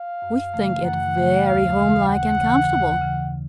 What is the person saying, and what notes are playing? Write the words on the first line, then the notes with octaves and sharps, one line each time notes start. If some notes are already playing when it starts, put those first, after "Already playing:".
"We think it very homelike and comfortable."
Already playing: F5
F#2
C#3 E3 A3
F#2 F#5
C#3 E3 A3
D#2 F5
C#3 E3
D#2 F#5
C#3 E3
D#2
C#3 E3